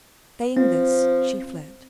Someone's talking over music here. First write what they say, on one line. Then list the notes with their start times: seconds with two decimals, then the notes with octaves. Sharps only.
Saying this, she fled.
0.57 F3 C4